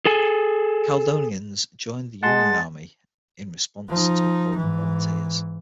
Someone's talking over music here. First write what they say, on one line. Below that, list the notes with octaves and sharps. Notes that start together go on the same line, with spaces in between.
Caledonians joined the Union Army in response to a call for volunteers.
G#4 A4 G#5
G#3 F#5 A5 C6 A6
F3 D#4
G#2 E3